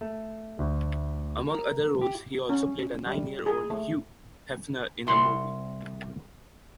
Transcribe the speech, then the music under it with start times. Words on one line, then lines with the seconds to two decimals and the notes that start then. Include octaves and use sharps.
Among other roles, he also played a nine-year-old Hugh Hefner in a movie.
0.01 A3
0.59 D2
1.50 A#4
2.01 G4
2.49 C#4
3.06 G3
3.46 G#4
3.70 A3
5.07 C2 C6